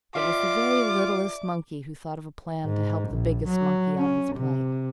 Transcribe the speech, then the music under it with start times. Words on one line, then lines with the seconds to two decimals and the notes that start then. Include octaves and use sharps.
It was the very littlest monkey who thought of a plan to help the biggest monkey out of his plight.
0.15 F4 D5 E5 F5 D6
2.65 G#2
3.09 A#1
3.48 F#3
3.97 C#4
4.35 C3